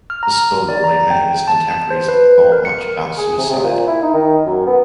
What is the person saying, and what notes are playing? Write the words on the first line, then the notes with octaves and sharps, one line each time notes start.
Foscolo, like many of his contemporaries, had thought much about suicide.
F6
A#5
D5
A#5
G5
A5
C5
B4
A#4
C#7
G#4
C3
C3
A#2
E4
D#4
D#3
F#2
B3